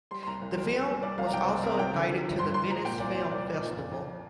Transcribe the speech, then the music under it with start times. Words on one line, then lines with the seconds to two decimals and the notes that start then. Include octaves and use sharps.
The film was also invited to the Venice Film Festival.
0.11 G3 C6
0.23 C6
0.27 C2 A#5
0.42 C2
0.57 C2 A#4
0.73 G3
0.87 G3
1.03 C2 D5
1.18 C2 F5
1.27 A#5
1.33 C2 G5
1.43 C5
1.48 C2 D5
1.63 C3 A#4
1.74 A#5
1.78 C2 G5
1.93 D3
2.10 F3
2.24 F3
2.39 G2 C6
2.54 G2 C6
2.70 F3 A#5
2.84 A#2 G5
3.00 C2 D5
3.10 D5
3.15 A#2 C5
3.31 C2 D5
3.46 C2
3.61 A#2
3.77 F2
3.91 F2